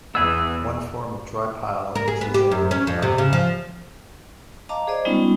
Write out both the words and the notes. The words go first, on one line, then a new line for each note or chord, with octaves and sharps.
One form of dry pile is the Zamboni pile.
E2 B3 G#4 E6
A#4
G#4
B3
G4
F#2
C#4
F2
C3
C#3
F3
D#5 F5 A5 A#5 D6
G#4 C5 D5 D#5
G3 G#3 B3 C#4 D#4 F4